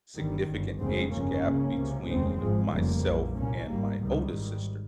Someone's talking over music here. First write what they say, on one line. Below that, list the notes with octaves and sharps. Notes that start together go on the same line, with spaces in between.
significant age gap between myself and my oldest sister,
G1 G2 D#3 G3
G1 G2
F1 D#2 C#3 G#3 C4
G1 F2 C#3 A#3 C#4
C#2 C#3
C#2 C3
F1 D#2 C#3 G#3 C4
G#1 G#2 F3 G#3
F1 F2 C#3 G3 A#3
A#1 A#2
C2 A#2 A#3 C#4
G#1 G#2 G3 A#3
C#2 C3 D#3 G3
G#1 G#2